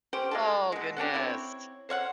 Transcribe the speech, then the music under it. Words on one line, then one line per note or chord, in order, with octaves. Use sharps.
Oh, goodness!
C#4 G4 C5
G#3 F4 A4
B2 G#3
B3 C#4 D4 G4
C4 E4 C#5
C5 C#5 F5 F#5